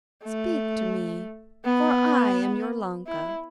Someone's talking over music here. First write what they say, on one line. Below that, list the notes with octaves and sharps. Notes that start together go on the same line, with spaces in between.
Speak to me, for I am your Ilonka.'
A3
B3
E4